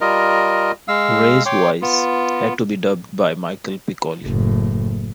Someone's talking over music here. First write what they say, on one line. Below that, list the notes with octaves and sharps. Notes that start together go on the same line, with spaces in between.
Rey's voice had to be dubbed by Michel Piccoli.
G3 F4 A#4 D#5
G#3 F5 E6
C#5 G5 C6 D6
B3 F4
F#1 A2